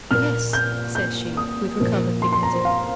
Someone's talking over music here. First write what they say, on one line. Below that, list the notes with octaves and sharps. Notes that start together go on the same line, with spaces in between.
'Yes!' said she, with recovered dignity.
A#2 A#3 F6
G6
G6
D#6
A#2 F3 A#3
C6
C6
A#5
C5
F5